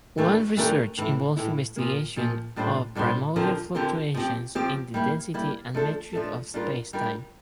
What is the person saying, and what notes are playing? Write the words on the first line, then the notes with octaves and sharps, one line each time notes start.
Wands' research involves investigation of primordial fluctuations in the density and metric of spacetime.
E3 A3 D4 G4 A#4
E3 A3 D4 G4 A#4
A2 E3 A3 E4
A2 E3 A3 E4
A#2 F3 A#3
A#2 F3 A#3
A2 G3 D4 F4 C5
A2 G3 D4 F4 C5
D3 F3 C4 G4 A#4
D3 F3 C4 G4 A#4
F3 C4 G4
F3 C4 G4
G3 A#3 E4
G3 A#3 E4
F3 A3 D4 A4
F3 A3 D4 A4
G3 D4 F4 A#4
G3 D4 F4 A#4